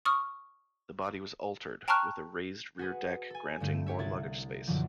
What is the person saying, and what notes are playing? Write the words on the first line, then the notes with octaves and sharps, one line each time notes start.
The body was altered, with a raised rear deck granting more luggage space.
C#6 D#6 F6
G5 A5 A#5 C#6 F6 F#6
F#4 G#4 B4
A4 G#5
G2 D3 A3 E4 G6
F4 G4 C#5 E5
C2 E4 G#6 A6
F#2 B2 D3 E3 F3